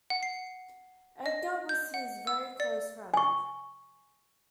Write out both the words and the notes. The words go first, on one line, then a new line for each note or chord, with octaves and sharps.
Edgar was his very close friend.
F#5
C7
D#5
G6
F#5
E6
D5
G#5 C#6